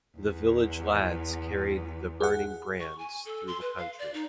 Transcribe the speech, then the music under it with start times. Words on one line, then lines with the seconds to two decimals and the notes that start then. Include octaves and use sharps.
The village lads carried the burning brands through the country.
0.17 E2
2.20 G#4 F#5
2.80 C#6
2.99 G#5
3.25 A4
3.47 C6
3.61 B4
3.78 F5
3.99 D5
4.14 D#4